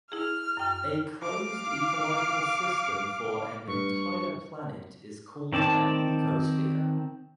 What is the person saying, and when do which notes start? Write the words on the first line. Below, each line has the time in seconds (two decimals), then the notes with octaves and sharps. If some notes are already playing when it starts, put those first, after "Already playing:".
A closed ecological system for an entire planet is called an ecosphere.
0.12 E4 G#4 F6
0.57 F#2 G5
1.20 F5 D6
3.68 G2 C#6
5.52 D#3 C4 D5 A5